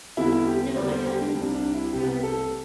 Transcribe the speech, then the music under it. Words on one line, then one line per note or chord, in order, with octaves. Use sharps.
No, I haven't. How is it?
E2 D3 G3 E4
E4
G4
E2 D3 G3 D5
C5
G4
D4
C2 C3 G3 D4
D4
E4
C2 C3 G3 G4
A4